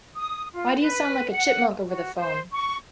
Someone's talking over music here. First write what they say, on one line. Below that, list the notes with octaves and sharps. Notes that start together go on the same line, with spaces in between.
Why do you sound like a chipmunk over the phone?
D#6
F4
B4
F#5
F#4
C5
C#6